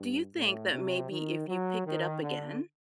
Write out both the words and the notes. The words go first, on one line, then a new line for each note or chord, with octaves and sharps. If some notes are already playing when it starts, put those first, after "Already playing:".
do you think that maybe if you picked it up again,
Already playing: G2
A2
C3
D#3
F#3
D#3
D3